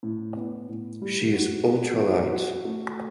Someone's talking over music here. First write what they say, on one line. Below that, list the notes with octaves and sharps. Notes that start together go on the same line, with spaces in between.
She is ultra light.
A2
B3
A2
G3
F#4
F#4
F#4
F#4
A3